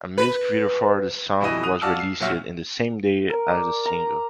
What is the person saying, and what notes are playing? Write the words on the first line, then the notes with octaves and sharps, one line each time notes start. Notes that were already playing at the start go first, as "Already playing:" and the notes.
A music video for the song was released the same day as the single.
B4
B2 E3 G3 E4 D#5 D#7
D#6 F#6 D#7 F7
F4 F#4 D5 A5 E6 F6
C7
G1 A#2 F#3 F#4 E5 F6
A#4
D5
A#5